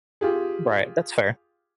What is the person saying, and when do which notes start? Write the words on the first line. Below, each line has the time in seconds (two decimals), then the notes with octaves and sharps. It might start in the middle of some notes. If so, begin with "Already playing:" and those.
Right, that's fair.
0.21 F4 G4 G#4